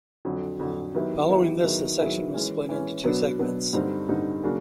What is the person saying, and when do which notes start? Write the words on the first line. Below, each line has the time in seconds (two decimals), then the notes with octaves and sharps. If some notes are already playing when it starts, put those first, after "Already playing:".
Following this, the section was split into two segments.
0.25 F2 D3 F#3
0.59 F2 D3 F#3
0.94 D#3 F#3 B3 E4 G4
1.29 D#3 F#3 B3 E4 G4
1.64 D#3 F#3 B3 E4 G#4
1.99 D#3 F#3 B3 E4 G#4
2.34 E3 G#3 C#4
2.69 E3 G#3 C#4
3.04 B2 F#3 B3 D4
3.39 B2 F#3 B3 D4
3.73 G2 D3 G3 C4 D#4
4.08 G2 D3 G3 C4 D#4
4.43 C#3 F#3 A#3 D4 F#4